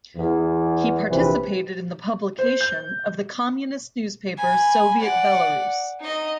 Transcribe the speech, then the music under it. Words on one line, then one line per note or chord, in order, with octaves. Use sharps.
He participated in the publication of the communist newspaper "Soviet Belarus".
E2
A#1 C3 E3 B4
C5
G6
G#5 B5
D5 F#5
D#4 D#5